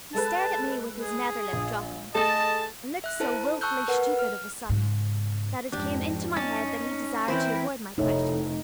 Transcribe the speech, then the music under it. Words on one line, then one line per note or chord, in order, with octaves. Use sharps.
He stared at me with his nether lip dropping, and looked so wilfully stupid of a sudden that it came into my head that he desired to avoid my questions.
G#3 A4 B4 A5
G#4
A#1
A3 G#4 D#5 A5 A6
E5 F#6
E4 A4 C5 A5
A5 C#6 E6 F#6 G6
A#4 B4 F#5
F6
G#2 C#3
F2 G#2 D4 G4
C#4 D#4 A5
E3 C4 E4 A#4 C5
F1 A2 D#4